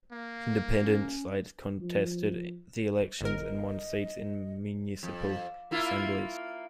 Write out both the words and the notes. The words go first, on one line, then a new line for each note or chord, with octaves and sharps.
Independent slates contested the elections and won seats in municipal assemblies.
A#3 F5
C#4
F3
G1 A#4 D#5
F2
A#3 E4 F4